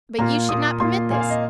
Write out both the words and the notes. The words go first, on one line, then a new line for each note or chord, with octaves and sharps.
But you should not permit this.
A#2 A#3 F4 A#5
A#2 A#3 F4 D#6
A#2 A#3 F4 C6
A#2 A#3 F4 G#5
F5
D#5